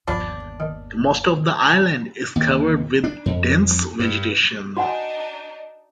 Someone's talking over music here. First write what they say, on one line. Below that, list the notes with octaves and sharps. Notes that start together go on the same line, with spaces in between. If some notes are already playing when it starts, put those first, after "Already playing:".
Most of the island is covered with dense vegetation.
G1 D#2 F3 D4 C5 B5
D#3
D#2
D4
F2
G2
D4 D#4 F#4 F#5 G#5